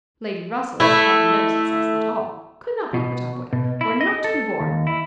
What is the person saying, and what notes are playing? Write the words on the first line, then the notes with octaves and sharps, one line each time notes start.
Lady Russell's had no success at all: could not be put up with, were not to be borne.
A3 E4
B2
B2
E4
D#5
A4
D#2
E4